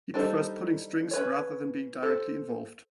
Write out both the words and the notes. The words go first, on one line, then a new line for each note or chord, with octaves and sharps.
He prefers pulling strings rather than being directly involved.
G3 D4 D#4 A4 C5
C#4 B4 C#5
A4 C5